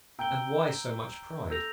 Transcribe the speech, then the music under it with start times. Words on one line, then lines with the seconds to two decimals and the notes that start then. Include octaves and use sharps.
And why so much pride?
0.19 G5 A#5 E6 G6 D7 G7
1.50 A4 E6 G6 A#6 F7